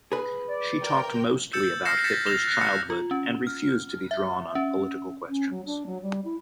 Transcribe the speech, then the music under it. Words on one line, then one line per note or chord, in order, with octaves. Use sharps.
She talked mostly about Hitler's childhood and refused to be drawn on political questions.
G#4 B4
D5
A#4 G5
E6 G6 A6 C#7 E7
F6 G6 A#6 C7 C#7 E7
G6 A6 B6 C#7 E7
A#6 E7 F7 G7
F#6 A#6
C#7
F4
C#4
F6
E5
C#4
C#4
F#3
D4
F#3
G3
E4